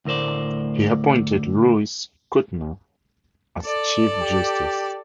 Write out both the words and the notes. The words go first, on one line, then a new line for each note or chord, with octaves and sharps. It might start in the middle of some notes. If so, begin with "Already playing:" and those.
He appointed Luis Kutner as Chief Justice.
D2 A2 A#4 C5 D5
A4 D5
G4